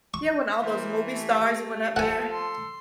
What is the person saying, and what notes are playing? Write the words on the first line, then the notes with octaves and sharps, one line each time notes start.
Yeah, when all those movie stars went up there.
C#6
E3 A#3 C5
A3 G4
F3 A4 F#5 G#5
C6